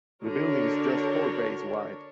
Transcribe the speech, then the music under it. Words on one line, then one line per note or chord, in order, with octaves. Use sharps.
The building is just four bays wide.
D3 D4 F#4 A#4 C#5